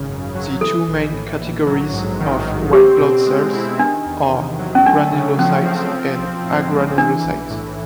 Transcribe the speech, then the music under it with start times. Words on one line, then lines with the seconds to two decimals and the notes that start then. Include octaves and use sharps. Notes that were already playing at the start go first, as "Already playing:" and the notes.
The two main categories of white blood cells are granulocytes and agranulocytes.
Already playing: G#1 C#3
0.08 F#2
0.35 F#3
0.61 E3 A4
0.88 A#1
1.14 A2
1.40 A#1
1.67 F#3
1.94 G#2
2.20 D#3
2.47 G#2
2.73 C4 G4
3.00 B2
3.27 G#3
3.53 E4
3.79 D#3 D4
4.06 E2
4.33 C3
4.59 F#3
4.75 C#4
4.85 A3 D4
5.12 C#3
5.38 F3 C#4
5.66 C4
5.92 F3
6.19 B1
6.45 A2
6.71 G#3
6.98 E3 D4
7.24 B1
7.51 A2